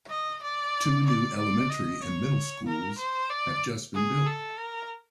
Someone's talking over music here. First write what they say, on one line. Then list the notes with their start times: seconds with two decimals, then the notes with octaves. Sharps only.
Two new elementary and middle schools have just been built.
0.09 D#5
0.42 D5
1.06 D5
1.38 D5
1.70 D#5
2.02 C#5
2.66 A#4
2.98 C5
3.30 D5
3.94 G#4
4.26 A4
4.59 A#4